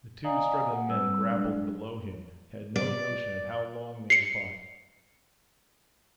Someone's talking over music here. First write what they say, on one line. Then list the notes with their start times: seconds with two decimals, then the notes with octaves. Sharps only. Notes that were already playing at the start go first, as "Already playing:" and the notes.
The two struggling men grappled below him had no notion of how long they had fought.
0.24 D5 D#5 F5 G#5 A#5 D#6
0.71 F#5
0.87 G3 C4 B4 E6
1.27 F#3 G#3 D4 D5
2.76 D5
4.10 C7 C#7